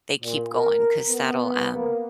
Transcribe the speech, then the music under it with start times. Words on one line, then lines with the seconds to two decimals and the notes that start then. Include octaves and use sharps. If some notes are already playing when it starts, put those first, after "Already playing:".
they keep going 'cause that'll, um
0.21 A#2
0.54 A#4
1.09 B3
1.73 A#3